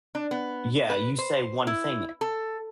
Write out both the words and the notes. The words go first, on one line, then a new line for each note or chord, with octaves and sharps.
yeah, you say one thing
D4
B3
B4
C5
E4
A4